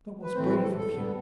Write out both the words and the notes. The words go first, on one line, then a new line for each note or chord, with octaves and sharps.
"That was brave of you."
B4
A2 E3 A3 C4 C5
B4
A4
A4
D3 G3 B3